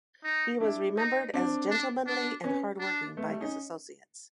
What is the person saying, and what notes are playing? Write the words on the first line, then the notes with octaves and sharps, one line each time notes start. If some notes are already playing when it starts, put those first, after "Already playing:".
He was remembered as gentlemanly and hard-working by his associates.
D#4
D4 E4
D#4
C4 D4
D4
D4
B3 C#4
D4
A3 B3
G3 A3
C#4 D#4